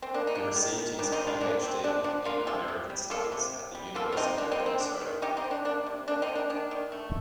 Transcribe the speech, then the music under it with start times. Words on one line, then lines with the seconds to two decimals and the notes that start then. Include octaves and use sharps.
He received his Ph.D. in American Studies at the University of Minnesota.
0.02 C4
0.14 A#3 D4
0.27 D#4
0.35 A#3 D4
0.56 D#3
0.78 D#3
0.99 D#3 D4
1.12 C4 D#4
1.20 G3
1.27 D4 F4
1.41 A#3 D4
1.63 D#3 C4
1.84 C3 D4
2.04 F3 D4
2.25 A#3 D4 F4
2.47 C3 F4 A4
2.68 C3
2.90 G3
3.10 A#3 F4 A4
3.32 C3
3.53 C3
3.75 G3
3.95 A#3 F4 A4
4.12 F4
4.16 C3 C4 D#4
4.38 A#3 D4
4.52 C4 D#4
4.60 A#3
4.66 C4
4.80 D#3 D4
5.01 D#3
5.22 C3 D#4 G4
5.37 C4 D#4
5.44 D#3
5.51 D4
5.65 A#3 D4
5.87 C3
6.08 A#3 D4
6.22 C4 D#4
6.28 A#3
6.35 D4
6.50 D#3 D4
6.71 D#3
6.92 A3